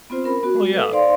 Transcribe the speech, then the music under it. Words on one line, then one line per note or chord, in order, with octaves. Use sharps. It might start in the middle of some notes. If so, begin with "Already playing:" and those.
Well, yeah.
B3 C4 F4 C5
C#4 A#4 B5
B3 F#4
G#3
A4 B4
D#4 C5 D5 F5 C6